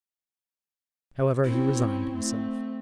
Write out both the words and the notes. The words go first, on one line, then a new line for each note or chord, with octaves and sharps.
However, he resigned himself.
C4 C#4 E4
A3 C4